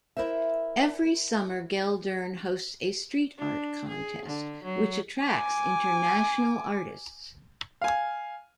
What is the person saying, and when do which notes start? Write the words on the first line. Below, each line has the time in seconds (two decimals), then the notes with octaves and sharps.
Every summer Geldern hosts a street art contest, which attracts international artists.
0.17 E4 A#4 C5 E5
3.38 D4
3.89 G#4
4.26 D3
4.64 F#3
5.23 G#5 D6
7.81 F5 G#5